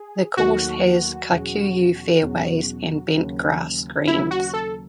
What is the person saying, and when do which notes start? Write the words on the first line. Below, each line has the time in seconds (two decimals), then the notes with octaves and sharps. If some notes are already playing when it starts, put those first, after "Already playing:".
The course has Kikuyu fairways and Bentgrass greens.
Already playing: G#4
0.37 D#2 D#3 F#3 A3 F#4
1.30 E2 B2 F#3 C#4 G#4
2.22 E2 B2 F#3 C#4 G#4
3.15 D#2 C#3 F#3
4.07 D#2 C#3 F#3 E4
4.31 F#4
4.54 A4